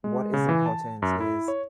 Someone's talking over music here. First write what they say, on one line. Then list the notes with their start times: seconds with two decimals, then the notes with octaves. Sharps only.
what is important is
0.04 G#3
0.34 C#3
0.49 E3
0.66 A5
1.02 F#2
1.20 E4
1.48 C#5